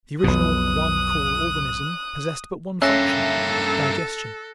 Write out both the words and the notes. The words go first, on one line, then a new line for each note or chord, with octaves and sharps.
The original one-call organism possessed but one function--digestion.
B1 F2 B2 D#6 F#6
G2 A#3 C#4 A4 E5 F#6 A#6